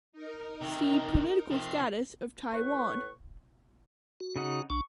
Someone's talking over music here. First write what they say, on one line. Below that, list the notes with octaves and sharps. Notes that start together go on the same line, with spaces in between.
See Political status of Taiwan.
D#4 A#4
C3 D#3
C3 F3 C7
A2 B4 C#6
F#4
C#3 D#4 F#5
B1 D4 C#6